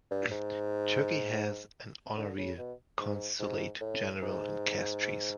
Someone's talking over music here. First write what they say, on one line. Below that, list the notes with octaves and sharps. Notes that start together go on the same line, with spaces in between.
Turkey has an Honorary Consulate General in Castries.
G2
G#2
D3
C#3
B2
G#2
G#2
A2
G#2